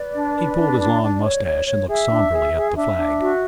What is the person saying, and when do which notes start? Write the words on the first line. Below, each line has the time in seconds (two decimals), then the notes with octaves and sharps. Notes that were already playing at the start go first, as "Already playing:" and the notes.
He pulled his long mustache and looked somberly at the flag.
Already playing: B4 D5
0.14 D4
0.35 B4
0.58 D4
0.79 D4
1.02 D4
1.22 C#5
1.45 C#5
1.67 C#5
1.88 G#4 E5
2.10 D4
2.31 G#4
2.53 G#4
2.75 D4 E5
2.97 D4
3.19 F#4